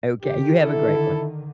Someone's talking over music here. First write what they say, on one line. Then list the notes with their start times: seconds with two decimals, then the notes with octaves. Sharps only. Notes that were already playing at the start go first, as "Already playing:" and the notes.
okay, you have a great one.
0.23 D3 D#3 G4
0.60 E4 A4